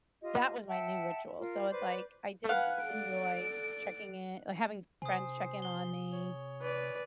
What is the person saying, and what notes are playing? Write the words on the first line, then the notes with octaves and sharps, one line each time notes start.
that was my new ritual, so it's like, I did enjoy checking in like, having friends check in on me,
F4 G4 D#5
E5 F#5 G5 A5
F4 A#4
B4 C5 D5 D6
B4 F5 F#5 G#5
A4 D5 D7
C3 C5 G#5 D#6
G7
C#5
B4 D5